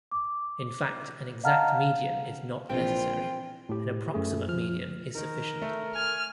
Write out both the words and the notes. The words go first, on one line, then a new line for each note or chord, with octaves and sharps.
In fact, an exact median is not necessary - an approximate median is sufficient.
D6
D#5 F5 F#5 A5 A#5 F6
F5
A#1 E3 C4 F4 G5
A2 G4
F#2 A3 G#4
F3 F6
D#3 D#4 A#4
A3
G#5 F6